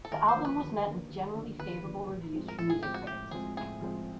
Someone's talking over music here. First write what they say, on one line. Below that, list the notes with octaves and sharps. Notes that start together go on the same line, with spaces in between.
The album was met with generally favorable reviews from music critics.
A4
D#2 A#4
C5
D3 F3 A#3 D4
B4
D#2
D3 F3 A#3 D4
D#2
D3 F3 A#3 D4
D#2 B4
D3 F3 A#3 D4
A2
F3 G#3 C4
A#4
A2 A4
G#4
F3 G#3 C4 G4
F#4
A2 G4
F3 G#3 C4 G#4
A2 G#4
F3 G#3 C4